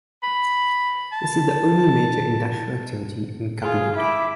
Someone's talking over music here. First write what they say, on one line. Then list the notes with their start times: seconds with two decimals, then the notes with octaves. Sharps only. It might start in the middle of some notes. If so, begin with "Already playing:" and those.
This is the only major industrial activity in Capinota.
0.23 B5
1.12 A5
3.62 F4 G#4
3.95 E4 B5 D6